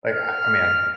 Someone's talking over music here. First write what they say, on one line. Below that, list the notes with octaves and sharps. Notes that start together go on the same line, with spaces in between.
like, I I mean,
F6